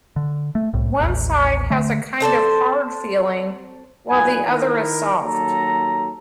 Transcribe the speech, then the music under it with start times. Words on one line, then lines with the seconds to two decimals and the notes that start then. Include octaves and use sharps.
One side has a kind of hard feeling while the other is soft.
0.16 D3
0.55 A3
0.74 C2 A2
1.00 A1 D#2
1.70 D3 A3
2.20 C4 A4 C5 D5
4.08 B1 A#2 B4 G#5
4.46 D#3 E4 A#4
5.20 D#2 F#3 A4 A#5